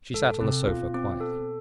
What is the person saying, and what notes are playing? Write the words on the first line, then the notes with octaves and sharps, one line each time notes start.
She sat on the sofa quietly.
G#2 A4
C3 C4
B2 F4
C4
A4